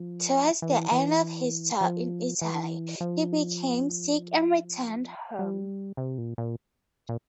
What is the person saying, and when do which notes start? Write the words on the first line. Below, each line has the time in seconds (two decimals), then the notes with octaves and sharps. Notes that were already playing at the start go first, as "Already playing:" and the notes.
Towards the end of his tour in Italy he became sick and returned home.
Already playing: F3
0.62 E3
0.92 E3
1.81 F3
2.41 E3
3.00 F3
5.39 G3
5.97 C3
6.18 A#2
6.38 A#2
7.09 A#2